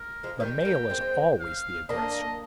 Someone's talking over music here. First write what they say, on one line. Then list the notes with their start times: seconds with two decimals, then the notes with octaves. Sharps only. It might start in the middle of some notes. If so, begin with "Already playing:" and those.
The male is always the aggressor.
Already playing: A#4
0.23 F3 G#3
0.40 D#3 G3 G5
0.61 G#3
0.65 G3 A#3
0.90 G#3 C4
1.39 F5
1.89 A#3 D4 D#5